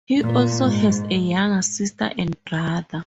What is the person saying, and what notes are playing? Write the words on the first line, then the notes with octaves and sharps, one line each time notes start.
He also has a younger sister and brother.
A#2
G#2